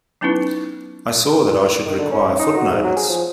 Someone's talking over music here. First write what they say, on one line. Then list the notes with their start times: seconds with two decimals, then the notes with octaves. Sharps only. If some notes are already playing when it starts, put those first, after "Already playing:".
I saw that I should require footnotes.
0.21 F#3 B3 C#4 D#4 E4 B4
1.86 D#3
1.98 D3
2.11 C#4
2.26 C#4
2.39 D#4
2.57 F#4
2.71 G#2
2.84 F#3
2.96 G#4
3.09 F3